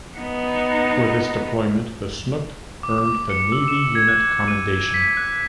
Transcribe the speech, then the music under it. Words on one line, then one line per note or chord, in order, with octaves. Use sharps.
For this deployment the "Snook" earned the Navy Unit Commendation.
B3 D#4
D6
D6
C#7
E6
E7
G#6
F#6
D#7
B6
F#6